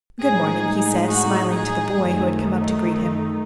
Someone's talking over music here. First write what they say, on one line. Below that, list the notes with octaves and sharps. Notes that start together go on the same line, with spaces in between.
"Good morning," he said, smiling to the boy, who had come up to greet him.
A2 G#3 D#4 G#4
F#4
G#4
F#2 D#3 A3 D#4